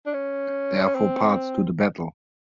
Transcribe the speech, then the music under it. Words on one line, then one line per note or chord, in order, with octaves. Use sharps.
There are four parts to the battle.
D4
C#4
C#4
C4